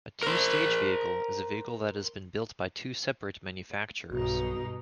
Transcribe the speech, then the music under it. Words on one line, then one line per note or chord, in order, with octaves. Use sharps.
A two-stage vehicle is a vehicle that has been built by two separate manufacturers.
A#4 C5
B1 G2 B2 D#4 F#4